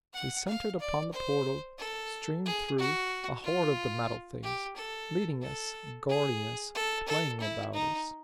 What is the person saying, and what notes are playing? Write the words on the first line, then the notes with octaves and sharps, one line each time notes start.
They centered upon the portal, streamed through--a horde of the metal things, leading us, guarding us, playing about us.
F#5
F5
D5
C5
A4
G#4
F#4
F4
G4
A4
A4
G#4
A4
A4
E4
D#4